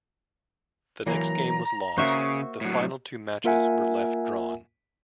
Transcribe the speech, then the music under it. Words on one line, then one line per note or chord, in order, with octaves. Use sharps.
The next game was lost; the final two matches were left drawn.
E3 F#3 A#3 A#5
C#3 A#3 F#4 C5 E5
A2 F#3
A#3 F4 A#4 E5 F#5 G#5